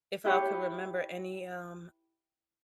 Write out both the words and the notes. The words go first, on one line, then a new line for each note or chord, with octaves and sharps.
if I could remember any, um,
E4 G4 B4 C#5